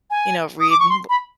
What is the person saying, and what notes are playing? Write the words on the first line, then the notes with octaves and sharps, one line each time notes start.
you know, read w
G#5
D#6
D6
C#6
C6
B5